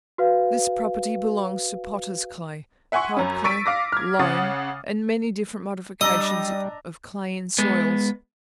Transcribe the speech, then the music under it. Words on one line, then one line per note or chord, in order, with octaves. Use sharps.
This property belongs to potters' clay, pipe-clay, loam, and many different modifications of clay in soils.
F#4 B4 F5
E5 F#5 G#5 C6 C#6
F#2 C#4 B5
C#6 E6 A6 B6 D7 D#7
F5 D6 A#6
F6 G#6
C#3 F#5 D#6 A6
G3 D4 D#5 A#5 D#6 E6
G#3 B3